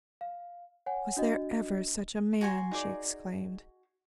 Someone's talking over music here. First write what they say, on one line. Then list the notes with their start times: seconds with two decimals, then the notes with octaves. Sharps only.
"Was there ever such a man!" she exclaimed.
0.21 F5
0.86 C#5 F#5 G#5
1.17 D4 F#4 D#5
2.41 F#4 G#5 C6
2.71 D#4 G#4 D5